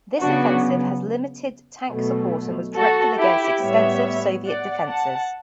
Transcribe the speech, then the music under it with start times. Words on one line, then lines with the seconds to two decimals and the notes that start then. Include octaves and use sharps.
This offensive had limited tank support and was directed against extensive Soviet defenses.
0.19 C#3 F#3 B3 D4 F#4
1.90 B2 F#3 A3
2.75 F#4 A4
3.17 E4 G4
3.60 A2 G3 B3 C#5 E5
4.45 D5 F#5
4.88 F#5 A5